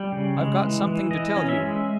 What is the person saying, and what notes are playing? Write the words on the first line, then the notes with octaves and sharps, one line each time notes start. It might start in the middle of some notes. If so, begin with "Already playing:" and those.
"I've got something to tell you."
Already playing: G3 G5
C#3
G#3
E3
E3
E3 D#5
C#4
E5
G#3